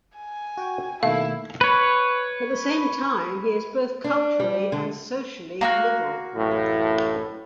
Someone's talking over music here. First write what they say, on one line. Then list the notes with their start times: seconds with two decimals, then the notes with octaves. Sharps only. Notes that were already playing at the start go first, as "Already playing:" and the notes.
At the same time he is both culturally and socially liberal.
0.16 G#5
0.57 F#4 G5
1.03 B2 D#3 A3 A#3 E4 F5
1.61 B4 C#5
4.04 D4
4.40 G3
4.72 D3
5.61 A#3 F4 F#4
6.36 A1 F#2 A2